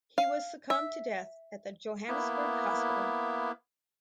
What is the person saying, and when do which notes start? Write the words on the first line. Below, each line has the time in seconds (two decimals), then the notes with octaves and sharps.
He was succumb to death at the Johannesburg hospital.
0.18 F5
0.70 E5
2.08 A#3 B3 E4